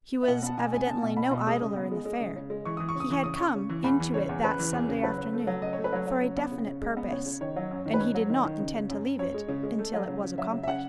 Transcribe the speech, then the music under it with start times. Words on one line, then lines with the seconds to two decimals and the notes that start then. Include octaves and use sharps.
He was evidently no idler in the fair; he had come into it that Sunday afternoon for a definite purpose, and he did not intend to leave it until it was accomplished.
0.23 E5
0.28 B2 F#5
0.43 B3 A5
0.58 B2 G#5
0.72 B3 G#5
0.87 B3 A5
1.02 B2
1.16 B2 B5
1.31 B2
1.47 G#3 D#6
1.62 C#3
1.76 B3
1.92 G#3
2.05 G#3
2.20 C#3
2.36 C#3
2.50 G#3
2.65 E3 C#6
2.77 E3 D#6
2.89 C#6
2.95 C#3 D#6
3.10 E3 C#6
3.24 C#3 D#6
3.36 C#3 C#6
3.55 C#3
3.69 E3
3.84 E2 B5
4.00 E3
4.14 C#3 C#5
4.29 E2
4.44 C#3 B4
4.59 E3
4.73 E2
4.89 C#3
5.03 F#3 B4
5.18 C#3
5.33 A3
5.47 F#3
5.62 C#3 D#5
5.73 C#5
5.78 A3
5.84 B4
5.92 F#3 C#5
6.07 F#3
6.22 C#3
6.37 B3
6.52 C#3
6.66 C#3
6.82 G#3
6.97 B3
7.11 C#3 C#5
7.26 C#3
7.41 D#3 C#5
7.56 F#3
7.71 F#2
7.86 D#3
7.94 B4
8.00 F#2 C#5
8.15 F#3
8.30 D#3
8.45 D#3
8.59 C#3
8.74 C#3
8.89 F#2
9.04 F#2
9.19 F#2 C#5
9.34 G#3
9.48 C#3
9.63 G#3
9.79 A3
9.94 F#3
10.08 C#3
10.23 C#3
10.38 F#3 E5
10.53 C#3
10.63 E5
10.68 C#3 F#5